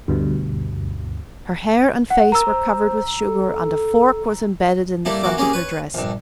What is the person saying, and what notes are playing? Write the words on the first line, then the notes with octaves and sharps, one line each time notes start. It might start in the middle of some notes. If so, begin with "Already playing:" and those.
Her hair and face were covered with sugar and a fork was embedded in the front of her dress.
D2 G2 B2
F#5
A#4 A#5 E6
C5
A4
G3 A3 A#3 E4
E3 A#3 F#4 D6
A#3 C#4 G4 G#4
B4 C#5
A#1 G2